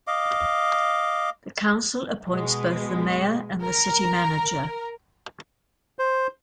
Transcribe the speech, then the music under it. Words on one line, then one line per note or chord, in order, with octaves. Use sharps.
The council appoints both the mayor and the city manager.
D#5 F5 D6
B2 G#3
A#4
C5